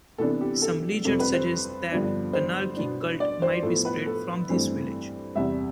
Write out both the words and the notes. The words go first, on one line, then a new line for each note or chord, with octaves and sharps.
Some legends suggest that Kannaki Cult might be spread from this village.
C3 E3 B3 D4 A4
G4
A4
F2 C3 G3 C4 A4
B4
C5
G2 D3 F3 B3 D4
C5
B2 B3 D4
D5
C5
A2 F3 B3 A4
B4
A4
G2 E3 A3 C4
E2 C3 G3 E5